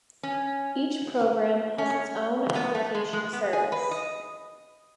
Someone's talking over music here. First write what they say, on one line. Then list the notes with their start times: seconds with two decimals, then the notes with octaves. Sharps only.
Each program has its own application service.
0.23 C#4
1.78 C#4
2.55 B3
2.75 A3
2.95 G#3
3.13 G#3
3.33 B3
3.53 G#4
3.72 B4
3.91 D#5